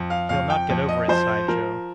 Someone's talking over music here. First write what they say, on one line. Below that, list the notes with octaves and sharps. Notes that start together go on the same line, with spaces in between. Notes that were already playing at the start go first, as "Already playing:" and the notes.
"He'll not get over it!" sighed Joe.
Already playing: F2
F5
F2 F5
G5
F2
D#5
F3 C5
F3 A#4